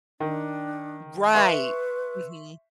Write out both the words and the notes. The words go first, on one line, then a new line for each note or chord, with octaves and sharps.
Right. Mhm.
D#3 D4
B4 E5 C6 C#6